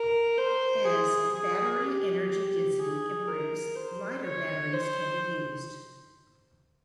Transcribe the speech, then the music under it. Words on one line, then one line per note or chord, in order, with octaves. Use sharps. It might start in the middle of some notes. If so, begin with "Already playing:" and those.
As battery energy density improves lighter batteries can be used.
Already playing: A#4
C5
G#4
G#4
G4
G4
G#4
A#4
C5
C#5
C5